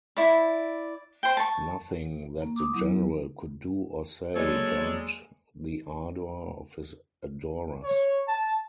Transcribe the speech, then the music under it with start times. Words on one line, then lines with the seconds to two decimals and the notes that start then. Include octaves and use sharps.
Nothing that the general could do or say damped the ardor of his adorers.
0.17 E4 D5
1.23 C5 G5
1.37 A5 C#6
2.42 A#3
2.56 D6 D#6
2.74 F#3 B3 E4
4.36 F#3 G#3 A#3 A4 C#5 D5
7.84 C#5
8.28 A5